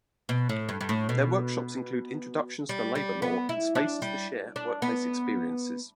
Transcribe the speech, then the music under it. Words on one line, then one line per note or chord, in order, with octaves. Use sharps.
Their workshops include introductions to labor law and spaces to share workplace experiences.
B2
A2
G2
G2
A2
B2
G3
G3
B3
E4
D4
G3
D4
B3